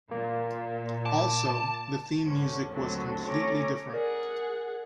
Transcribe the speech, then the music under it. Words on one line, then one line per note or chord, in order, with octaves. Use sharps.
Also, the theme music was completely different.
A#2 A#3
A5 D6
E2 G#2 D3 C#4
D#2 D3 F#3 A3 C4 A4
A3 C#4 A4 C#5 A#5 D6
G#4 A#4 D5 F#5